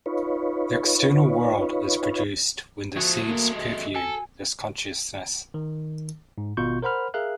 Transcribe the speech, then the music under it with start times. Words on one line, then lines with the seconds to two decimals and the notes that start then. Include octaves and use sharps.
The external world is produced when the seeds "perfume" this consciousness.
0.06 D#4 F4 B4 C#5
2.96 F3 A3 F#4 G#4
3.25 A#3
3.54 D#5
3.95 A4 G#5
5.54 D#3
6.38 G#2
6.57 G#1 B2 F4 C#6 G6
6.82 A#4 C5 F#5 B5 F6
7.14 G#4 A#4 E5 F5 F#6